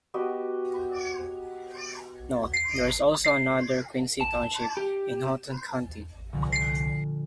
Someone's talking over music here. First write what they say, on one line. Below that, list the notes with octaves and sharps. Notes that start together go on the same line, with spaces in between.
Note: there is also another Quincy Township in Houghton County.
B3 F#4 G4 D#5
A5
G4
C2 A#2 D3 F3